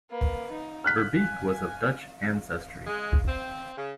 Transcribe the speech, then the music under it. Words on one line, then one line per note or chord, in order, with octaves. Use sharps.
Verbeek was of Dutch ancestry.
A#3 B4
D#4
F6 F#6 B6
G#5
G#3
C4
C#3